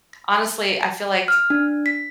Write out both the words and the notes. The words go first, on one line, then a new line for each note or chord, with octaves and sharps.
honestly, I feel like k
F6
D4
B6